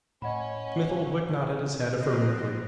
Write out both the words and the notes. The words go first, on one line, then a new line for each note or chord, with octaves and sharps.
Smith-Oldwick nodded his head affirmatively.
A2 C#4 C#5 D#5 F#5 G#5 B5
B2 F3 C4 B4 D#5